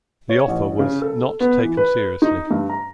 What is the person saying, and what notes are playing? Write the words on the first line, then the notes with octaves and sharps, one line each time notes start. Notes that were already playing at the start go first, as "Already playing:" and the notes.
The offer was "not taken seriously".
C#5
A1
C#3
A4
B3
E3
B4
D#4
G2
A#5